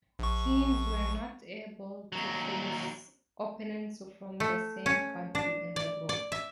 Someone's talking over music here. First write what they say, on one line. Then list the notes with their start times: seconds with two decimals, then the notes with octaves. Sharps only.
Teams were not able to face opponents from the same country in the group.
0.19 A#1 C#6
2.12 D#2 F#3
4.40 A3
4.86 C#4
5.35 D4
5.76 D5
6.09 D5
6.32 E5